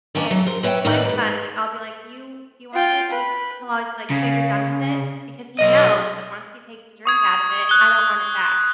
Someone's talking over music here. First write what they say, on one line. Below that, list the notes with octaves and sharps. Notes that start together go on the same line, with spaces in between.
And, my son, like, I'll be like, "Do you do you want this? He's he'll always be like, "So you're done with it? Because he knows that once he takes the drink out of it, I don't want it back.
D#3 B3 C#4 D4
F#3
A#4 C5
B4 C#5 E5 F5 G5
D#2 A2 D#3 D#4 B4 D5
G#2 B4
F4 G5
B4
C#3
B1 D#5
C#6 D#6 G#6
F#6 G7